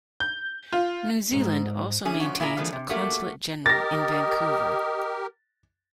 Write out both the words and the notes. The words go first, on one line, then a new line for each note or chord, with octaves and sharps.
New Zealand also maintains a consulate-general in Vancouver.
G6
F4
G#2
D3 A3 C#4 G#4
G2 F3 C#4 F#4
A#2 E4 G#4 A#4 A#5
D3 E3 F3 G#3 A#3
C3
A3 A#3 F#4 G4 A#4
G4 A#4 D#5 A6 A#6